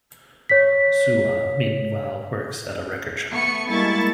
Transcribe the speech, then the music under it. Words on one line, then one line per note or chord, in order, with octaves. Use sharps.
Soo-ah meanwhile works at a record shop.
C#5 B6
A3 B3 C#6 C#7
G3 G#3 A#3 E4 A5 C#6 A6